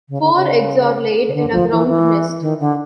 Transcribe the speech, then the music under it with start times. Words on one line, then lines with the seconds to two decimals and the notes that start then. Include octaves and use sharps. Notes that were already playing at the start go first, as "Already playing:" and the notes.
Four eggs are laid in a ground nest.
0.09 C#3
0.21 D3
0.35 C#3
1.28 C#3
1.33 D3
1.52 F3
1.70 E3
1.88 E3
2.41 D#3
2.60 D3